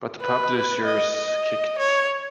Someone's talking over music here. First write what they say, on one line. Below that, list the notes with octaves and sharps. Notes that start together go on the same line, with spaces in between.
But the publishers kicked.
B4
D#5
D#5
C#5